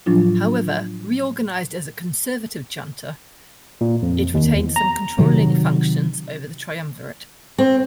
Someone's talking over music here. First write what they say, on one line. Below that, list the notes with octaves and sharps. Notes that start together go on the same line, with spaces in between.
However, reorganized as a "Conservative Junta", it retained some controlling functions over the Triumvirate.
A2 F3 F#3 D4 F4
A#2
F2
D#2
E2
A#5
C3 D#3 F#3
C4